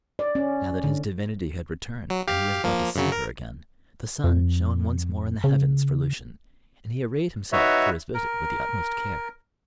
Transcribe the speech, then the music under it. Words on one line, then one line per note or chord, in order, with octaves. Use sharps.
Now that his divinity had returned, and he was about to see her again, the sun shone once more in the heavens for Lucian, and he arrayed himself for his visit with the utmost care.
D5
C#4
D3
F#3
G4 F5
F3 A#3
F#2 C#3 F#3
A#4
F2
C#3
D#4 F#4 B4 C#5 E5
A#4